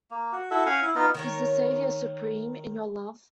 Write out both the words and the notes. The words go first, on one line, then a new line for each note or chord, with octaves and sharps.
Is the Savior supreme in your love?
A#3
F#4
E4 F#4 A4 E5
C#4 F5 F#5 G#5
E4
B3 D#4 F4 D#5
D#3 A#4 C#5